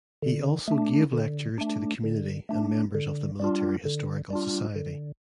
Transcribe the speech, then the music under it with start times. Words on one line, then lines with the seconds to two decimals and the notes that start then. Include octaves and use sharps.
He also gave lectures to the community and members of the Military Historical Society.
0.22 D3
0.68 A3 D4
1.13 D3
1.58 A3 D4
2.04 D3
2.49 A3 D4
2.95 D3
3.40 G3 D4 F4
3.85 D3
4.30 G3 D4 F4
4.76 D3